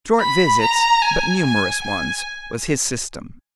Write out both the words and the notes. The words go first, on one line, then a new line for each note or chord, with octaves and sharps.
Short visits, but numerous ones, was his system.
B5
A#5
G#5
G#5
G#5